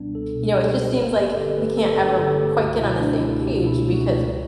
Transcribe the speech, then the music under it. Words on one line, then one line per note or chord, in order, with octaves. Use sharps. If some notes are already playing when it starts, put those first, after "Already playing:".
you know, it just seems like we can't ever r quite get on the same page because w
Already playing: C#2 B2 G3 B3 D4
C#2 A4
B2
G3 G4
B3
G1
G2 G4
A4
D3 G4
A3 B4
G1 A4
G2 G4
D3 A4
A3 G4
C#2 F#4
B2 E4
A3 D4
C#2 E4
C#2 G4
B2
E4
A3
F#4
C#2
C#2